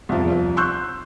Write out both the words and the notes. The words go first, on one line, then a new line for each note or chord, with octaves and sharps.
you know?
C2 F3
C6 C#6 E6 F#6 G6